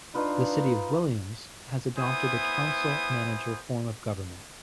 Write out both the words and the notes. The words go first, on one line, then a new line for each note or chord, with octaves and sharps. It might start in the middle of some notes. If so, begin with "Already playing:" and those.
The City of Williams has adopted the Council-Manager form of government.
D4 D#4 F4 B4
B3 E4 C5 G#5 D#6